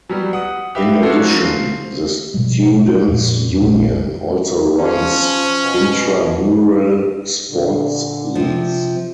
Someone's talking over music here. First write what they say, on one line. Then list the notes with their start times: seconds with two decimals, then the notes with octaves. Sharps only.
In addition, the Students' Union also runs intramural sports leagues.
0.10 F#3 G3 B3
0.33 F#5 D#6
0.75 G4 B4 E5 F5
1.02 B3 C#4 D4 F#4 A4 C5
1.20 F3 F#3 A#3 C#4
1.43 C5 F5
2.34 B2 F3 G3 G#3
3.08 F2 A#2
3.61 F1 A#1 F2 A#2
4.79 F3 C#4
5.64 B2
7.51 A#2 D3
8.35 C3 F3